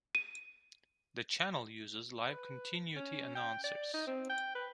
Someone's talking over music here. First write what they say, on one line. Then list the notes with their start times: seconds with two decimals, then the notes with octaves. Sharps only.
The channel uses live continuity announcers.
0.15 D#7
2.29 B4
2.96 C#4
3.35 G5
3.64 D5
3.94 D#4
4.07 C4
4.30 G5
4.55 B4